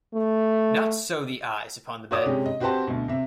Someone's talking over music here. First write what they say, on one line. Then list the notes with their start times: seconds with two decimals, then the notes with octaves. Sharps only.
Not so the eyes upon the bed.
0.15 A3
2.11 F#4 B4 C#5 D5 D6 D#6
2.26 C3 G#3 C#4 G4
2.46 D#5
2.60 C4 F#4 G4 B4 C5 A5
2.87 D2 B2
3.08 C3 E5